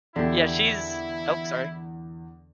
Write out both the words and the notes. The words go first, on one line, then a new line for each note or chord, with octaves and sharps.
Yeah, she's ope, sorry.
E2 D3 E4 G4